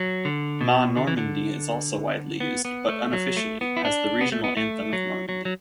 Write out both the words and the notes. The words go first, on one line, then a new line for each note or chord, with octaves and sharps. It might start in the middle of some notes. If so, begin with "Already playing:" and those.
"Ma Normandie" is also widely used, but unofficially, as the regional anthem of Normandy.
Already playing: F#3
D3
B2
D3
E3
D3
B3
B3
A3
F#3
A3
B3
E4
D4
B3
A3
B3
A3
F#3
F#3
F#3